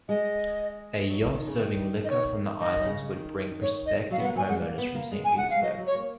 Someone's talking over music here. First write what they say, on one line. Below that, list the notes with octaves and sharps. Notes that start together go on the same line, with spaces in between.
A yacht serving liquor from the islands would bring prospective homeowners from Saint Petersburg.
G#3 D#5
F#3
F3
D#3
C#3
D#3
D#5
C#5
D#3 D#5
C#3
D#3
C#5
D#5
F#3 F5
B3
A#3 F#5
F#3 G#5
G#3 F#5
A#3
B3
A#3
G#3
G#5
G#3 F#5
F5
G#3
F#3 D#5
F#3
C#5
A#3